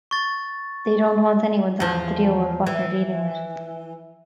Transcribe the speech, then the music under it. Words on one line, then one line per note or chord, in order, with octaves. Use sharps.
They don't want anyone to have to deal with what they're dealing with.
C#6 A6
E2 F3
E3